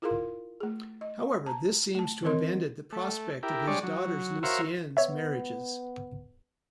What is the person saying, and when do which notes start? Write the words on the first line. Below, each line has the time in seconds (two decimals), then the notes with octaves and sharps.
However, this seems to have ended the prospect of his daughters' Lusignan marriages.
0.02 E4 F4 G#4 A#4 F5 C6
0.60 A3 G#4
1.01 D#5
1.46 A5 A#5
1.95 A3 A5
2.23 D#3 E3 C4 A#4 D#5 C6
2.92 A3
3.43 E4 G4 A#4
3.67 G3 G#3 D4 C#5 D5
3.83 F#3
4.43 F#4 A#4 C5 C#5 E5 F5
4.97 B3 C#5 E5